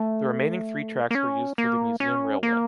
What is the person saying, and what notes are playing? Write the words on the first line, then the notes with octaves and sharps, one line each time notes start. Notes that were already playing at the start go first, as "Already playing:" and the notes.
The remaining three tracks were used for the museum railway.
Already playing: A3
A#3
C#4
A#3
C#4
A#3